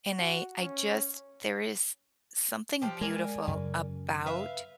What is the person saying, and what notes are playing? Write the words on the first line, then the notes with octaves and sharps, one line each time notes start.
and I I just there is something beautiful about
F#4
C#4
F3 D4 G4
G#3 A#4 D5 G#5
F#2 C#3
B4 E5 F5